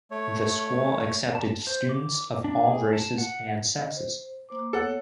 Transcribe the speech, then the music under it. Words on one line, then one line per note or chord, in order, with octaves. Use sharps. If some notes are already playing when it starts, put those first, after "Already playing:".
The school accepted students of all races and sexes.
A3 C#5
A5
C5
D6
D4
G#4
A5
F#5
D#5
C5
A#3 C5 D6
B3 A4 C#5 F#5